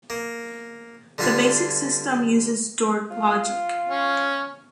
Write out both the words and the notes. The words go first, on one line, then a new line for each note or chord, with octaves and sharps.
The basic system uses door logic.
A#3
D3 G3 F4 B4 G#5 A5
F4
C#4